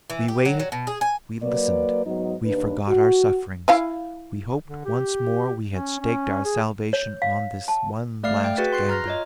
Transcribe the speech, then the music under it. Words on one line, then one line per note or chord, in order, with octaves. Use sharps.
We waited, we listened, we forgot our sufferings, we hoped once more. We had staked our salvation on this one last gamble.
E3
G4
F#3
F#3
B2
G#4
G#5
F#3 A#3 B4 D5
G#2 F#3 B3 D#4
D#2 D4 B4
F#4
E4 F5 G#5
D3
G4
C#4
C#4
G#4
C#5
F5
A5
A3 D5 F5 F6 C7
G5
F#4 G#4 B4 A6 B6
C6 F#6 C7
A#5 F6 A#6
F4 C#5 D#5